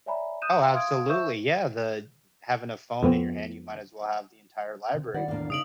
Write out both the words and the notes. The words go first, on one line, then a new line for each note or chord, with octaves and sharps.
Oh, absolutely, yeah, the having a phone in your hand, you might as well have the entire library,
C#5 D5 E5 G#5 A#5 B5
D#6 F#6 G6 D#7 E7
E5 F5 A#5 C6
F5 C6 D#6 F6 G#6 D7
C5 E5 C#6 E6 G6 E7
F2 B3 C4
C3
D#3 E4 D5 F#5
E2 A2 A#3 D4 F5
C#3 D#4 E5 D#6 D7 F#7